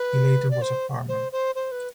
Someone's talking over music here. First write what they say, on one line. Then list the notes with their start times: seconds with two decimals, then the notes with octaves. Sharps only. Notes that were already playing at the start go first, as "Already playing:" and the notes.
He later was a farmer.
Already playing: B4
0.51 D5
0.62 C5
1.09 C5
1.32 C5
1.55 C5
1.72 B4